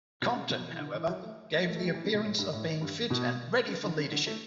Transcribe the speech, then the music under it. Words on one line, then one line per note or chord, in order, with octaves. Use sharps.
Compton, however, gave the appearance of being fit and ready for leadership.
B2
C#3
B2
E3
D3
E3
F#3
A3
A3
A3
A3
G3
E3
C#3
B2
A2
G2
A2
G2
B2
C#3
D3
C#3
D3
A3